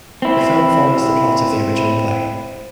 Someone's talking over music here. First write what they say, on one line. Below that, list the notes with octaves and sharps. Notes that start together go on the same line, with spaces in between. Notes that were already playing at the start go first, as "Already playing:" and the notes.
The film follows the plot of the original play.
C4 E4